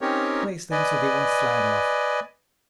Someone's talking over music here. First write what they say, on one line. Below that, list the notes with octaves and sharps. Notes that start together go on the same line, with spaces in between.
Place them so they won't slide off.
C4 C#4 D#4 G4 A#4 C#5
B4 D5 D#5 G#5